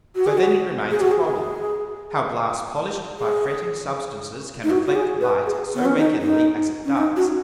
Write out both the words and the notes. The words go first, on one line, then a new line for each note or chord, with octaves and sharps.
So then it remains a Problem, how Glass polish'd by fretting Substances can reflect Light so regularly as it does.
F#4
G#4
F#4
G#4
F#4
G#4
G#4
D#4
F#4
F#4
G#4
B4
G#4
B3
C#4
D#4
D#4
C#4
D#4
F#4